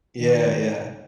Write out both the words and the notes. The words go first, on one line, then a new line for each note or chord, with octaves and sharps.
Yeah, yeah.
D#3